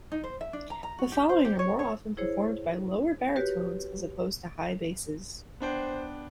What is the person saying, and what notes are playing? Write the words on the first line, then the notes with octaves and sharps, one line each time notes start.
The following are more often performed by lower baritones as opposed to high basses.
D#4
C5
E5
D4
A#5
A#5
F#4
G4
C5
G4
C#5
C#5
E4 G#4 C5 C#5
F#4 G4 B4 C#5
B3 D4 C5 G5